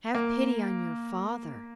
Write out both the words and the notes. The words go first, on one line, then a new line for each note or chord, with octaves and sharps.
'Have pity on your father!'
A#3